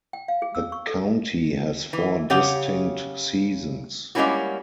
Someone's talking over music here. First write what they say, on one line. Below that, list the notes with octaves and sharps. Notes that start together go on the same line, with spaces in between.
The county has four distinct seasons.
G5
F5
G#4
E6
C#6
A4
E3
C#3 G4 C#5 F#5
G3 G#3 A#3 C#4 E4 F#4